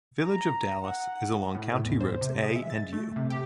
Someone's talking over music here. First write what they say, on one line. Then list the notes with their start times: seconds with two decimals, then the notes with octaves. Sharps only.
Village of Dallas is along County Roads A and U.
0.24 A#5
0.82 F#5
1.55 A2
1.71 A2
1.85 E2
2.01 C5
2.21 C3
2.43 G#3
2.56 E5
2.70 A6
2.93 A3
3.16 C3
3.30 G4